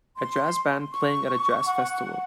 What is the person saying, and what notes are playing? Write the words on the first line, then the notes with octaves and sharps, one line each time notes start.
A jazz band playing at a jazz festival.
C6
C#6
F#5